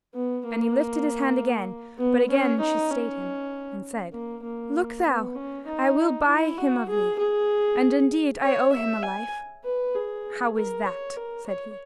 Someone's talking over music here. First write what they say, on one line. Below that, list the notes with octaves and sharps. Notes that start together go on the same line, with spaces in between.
And he lifted his hand again, but again she stayed him, and said: "Look thou, I will buy him of thee: and, indeed, I owe him a life." "How is that?" said he.
B3
A#3
B3
C#4
D#4
C#4
A#3
A#3
B3
C#4
D#4
E4
F#4
G#4
G#4
C#5
E5
G#5
B4
G#4
A#4
C#5
A#4
C#5